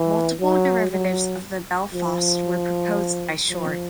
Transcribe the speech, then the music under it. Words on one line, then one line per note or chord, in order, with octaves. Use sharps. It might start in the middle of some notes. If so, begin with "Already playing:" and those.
Multiple derivatives of the Belfast were proposed by Short.
Already playing: E3
F#3
F#3
F3
F3